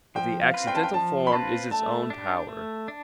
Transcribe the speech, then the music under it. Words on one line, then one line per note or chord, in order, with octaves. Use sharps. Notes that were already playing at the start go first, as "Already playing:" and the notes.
But the accidental form is its own power.
F3 G5
F5
C4 F4 B4
G5
A5
G5
F3 A5
B5
C4 F4 B4 A5
A3 A5
D4 G4
A3
D4